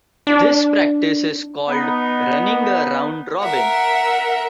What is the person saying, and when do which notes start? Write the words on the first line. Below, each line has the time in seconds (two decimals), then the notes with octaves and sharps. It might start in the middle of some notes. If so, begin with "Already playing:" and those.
This practice is called "running a round-robin".
0.27 D4
1.68 B3 D#4
3.40 A#4 E5 F#5